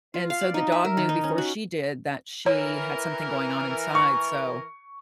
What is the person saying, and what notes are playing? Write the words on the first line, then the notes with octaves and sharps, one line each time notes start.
and so the dog knew before she did that she had something going on inside so
F4
F5
D5
D#4
E5
A#4
D#3
D#4
C#4
F#4
E3 A#4 C#5
C#6